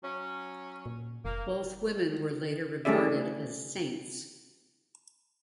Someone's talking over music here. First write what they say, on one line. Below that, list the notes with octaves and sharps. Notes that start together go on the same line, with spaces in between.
Both women were later regarded as saints.
F#3 C#4
A#2
F1 A#3
G3 A3 C#4 G#4 D5 E5